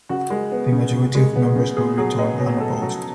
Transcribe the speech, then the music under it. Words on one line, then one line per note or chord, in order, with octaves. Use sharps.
The majority of members were returned unopposed.
C#3 F#4
G#3
B3
C#3
C#3
G#3
B3
C#3
B2 G#4
F#3 G#4
B3 D#5
B2 C#5
B2 A4
F#3